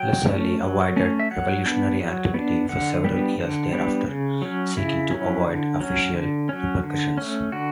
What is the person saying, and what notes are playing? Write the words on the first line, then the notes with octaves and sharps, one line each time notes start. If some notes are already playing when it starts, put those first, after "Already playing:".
Lassalle avoided revolutionary activity for several years thereafter, seeking to avoid official repercussions.
Already playing: F#3 G5
A3 C#4
F#3
A3 C#4
E5
F#3 F#5
B3 D4
F#3
B3 D4
D3 F#5
G3 B3 D4
D3
G3 B3 D4
C#3
F#3 C#4
C#3 E4
F#3 C#4
D3
F#3 C#4
D3
F#3 C#4
D3
A3 C#4
D3 F#4